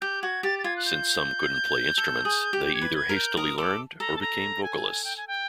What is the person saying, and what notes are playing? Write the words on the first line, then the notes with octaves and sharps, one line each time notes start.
Since some couldn't play instruments, they either hastily learned, or became vocalists.
G4 G6
F#4 G#6
G4 A6
A6
F4 G#6
F#6
G6
A4
G#4
G4
G6
G#6
B4
G#6
A#4
G6
A#4 D#6
A4 D6
A4 A#5
A5
A#5
G#5
G5
G#5
G5